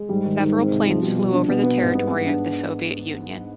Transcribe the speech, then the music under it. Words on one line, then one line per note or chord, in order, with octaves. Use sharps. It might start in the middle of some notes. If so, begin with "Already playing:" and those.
Several planes flew over the territory of the Soviet Union.
Already playing: G#3
G#2 G3
D#3
D#3
C4
C3
F3
B2 G3
G3
D4
B2 B3
B3
G#2
G2 B3
B3
D4